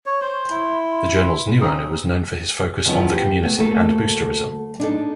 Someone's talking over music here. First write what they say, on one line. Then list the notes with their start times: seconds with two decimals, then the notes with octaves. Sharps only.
The Journal's new owner was known for his focus on the community and boosterism.
0.06 C#5
0.21 C5 C6
0.50 E4
1.61 C4 C#4 D#4 D#6
2.86 E2 D#3 F3 F#3 C#4 B4
3.13 G4
3.43 A3 B3
3.58 D2 A3 A#3 A4
4.80 D4 D#4 A4